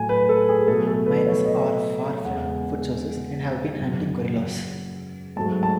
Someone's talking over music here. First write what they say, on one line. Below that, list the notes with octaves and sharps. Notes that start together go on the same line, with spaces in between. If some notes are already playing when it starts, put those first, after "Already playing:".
Miners are far from food sources and have been hunting gorillas.
Already playing: A2 F#3 A3 G#5
B4
A4
G#4
B2 F#3 A3 A4
A4
B4
C#5
D#5
E2 C#3 G#3 F#5
F#2 C#3 F#3
G#2 F#3 A3 A5
A5